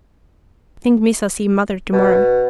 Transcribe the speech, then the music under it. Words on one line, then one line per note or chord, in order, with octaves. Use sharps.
Think Missa see Mother to-morrow.
B2